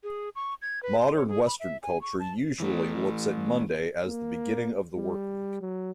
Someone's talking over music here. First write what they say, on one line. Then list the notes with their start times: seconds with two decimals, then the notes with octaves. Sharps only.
Modern Western culture usually looks at Monday as the beginning of the workweek.
0.04 G#4
0.35 C#6
0.62 G#6
0.83 B4
0.99 C6
1.15 C#5
1.28 G#4
1.46 B5
1.60 E5
1.82 G#5
2.02 C#6
2.19 A5
2.60 E3 A3
4.05 A#3
4.96 G3
5.61 F#3